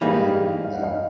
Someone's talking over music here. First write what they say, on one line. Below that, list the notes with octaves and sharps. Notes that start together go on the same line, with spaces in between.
Yeah, yeah.
E3 G3 A#3 D#4 G#4 D#5 F5
F5
F#5
D#5 F5